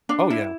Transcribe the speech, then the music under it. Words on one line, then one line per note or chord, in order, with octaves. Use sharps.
Oh, yeah.
D4
E4